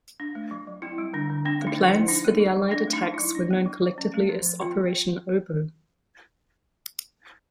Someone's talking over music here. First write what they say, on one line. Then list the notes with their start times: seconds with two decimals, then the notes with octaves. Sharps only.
The plans for the Allied attacks were known collectively as Operation Oboe.
0.20 D4
0.35 A3
0.51 F#3
0.67 F#3
0.82 C4 E4
0.98 G3
1.13 D3 D4
1.30 D3
1.45 C4 D4
1.61 A3
1.67 D#4
1.78 F3
1.88 E4
1.93 F3
2.08 D4 D#4
2.25 B3
2.40 F#3
2.57 F#3
2.71 C4 D4
2.88 A3
2.93 D#4
3.03 F#3
3.14 F#3 E4
3.35 D4
3.51 B3
3.66 F#3
3.82 F#3
3.98 C#4
4.14 A3
4.29 F3
4.46 F3
4.61 C4 F4